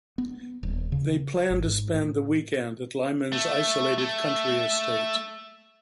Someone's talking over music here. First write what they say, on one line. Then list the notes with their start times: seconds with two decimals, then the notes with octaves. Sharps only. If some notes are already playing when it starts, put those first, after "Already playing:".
They plan to spend the weekend at Lyman's isolated country estate.
0.18 B3
0.63 D#1
0.92 C#3
1.50 G#1
1.65 G#2
1.94 A2
3.33 A3
3.98 A3